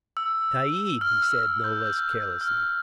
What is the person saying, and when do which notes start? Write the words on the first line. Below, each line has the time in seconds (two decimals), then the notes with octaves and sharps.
"Tayeeb," he said, no less carelessly.
0.17 E6
1.01 F6
1.22 E6
1.64 G6
1.85 E6
2.13 F6
2.41 F6